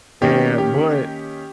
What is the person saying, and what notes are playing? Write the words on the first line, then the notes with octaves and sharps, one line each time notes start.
and but,
D#3 A#3 C#4 G4
G4